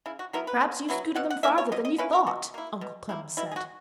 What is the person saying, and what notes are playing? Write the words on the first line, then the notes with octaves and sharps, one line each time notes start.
"Perhaps you scooted them farther than you thought!" Uncle Clem said.
C#3 E4
F#4
F#3 B3 E4 A#4
B4
C#3
F#3 B3 E4
B2 F#5
F#5
A#3 C#4 E4 E5
C#5
B2 D#5
D#5
A#3 C#4 E4 B4
A#4
B2 F#4
A#3 E4
B2
A#3 E4
B2 E4
G#4
F#4